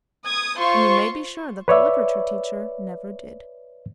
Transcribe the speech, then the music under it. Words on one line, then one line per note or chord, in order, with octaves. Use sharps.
And you may be sure that the literature teacher never did.
D#6 G#6
F4 C5 C6 C#6
B4 C#5 D5 E5